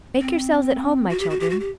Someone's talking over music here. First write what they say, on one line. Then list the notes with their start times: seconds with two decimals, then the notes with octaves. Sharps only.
Make yourselves at home, my children.'
0.21 C4
1.09 F#4
1.20 G4
1.30 F#4
1.40 G4
1.50 F#4
1.60 G4